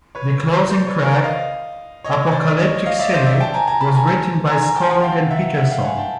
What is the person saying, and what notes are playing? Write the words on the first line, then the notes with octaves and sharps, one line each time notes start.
The closing track, "Apocalyptic City", was written by Skolnick and Peterson.
B4 C#5
C5 D5
B4 C#5
A#4 C5
D#5 F5
C#5 D#5
C5 D5
C#5 D#5
D#5 F5
D5 E5
C5 D5
D5 E5
G5 A5
G#5 A#5
G#5 A#5
A5 B5
G#5 A#5
G#5 A#5
G#5 A#5
G5 A5
F#5 G#5
F5 G5
E5 F#5
E5 F#5
F5 G5
F#5 G#5
G5 A5